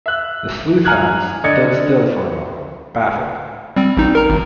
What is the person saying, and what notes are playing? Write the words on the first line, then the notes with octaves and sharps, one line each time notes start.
The sleuth-hound stood still for a moment, baffled.
E5 F#6
G#5 A#5 F6 F#6 G#6
D3 D5 D#5 G#6 C#7
G3 C4
A1 D#4
A#4 A#5
G#1